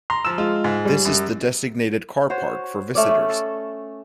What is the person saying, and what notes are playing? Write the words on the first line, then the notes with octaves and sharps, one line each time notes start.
This is the designated car park for visitors.
A#5 C6
F3 E6 E7
G#3 F4
G#2
G3
F#2
F#4 C5 C#5
A3 C#4 D5
A4